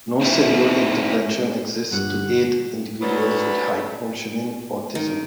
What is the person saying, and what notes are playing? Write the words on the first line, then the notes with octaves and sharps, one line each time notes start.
No single intervention exists to aid individuals with high-functioning autism.
C4 D#4 E4
G1 G2 G4 F#5
D2 F#3 B3 D5
D#3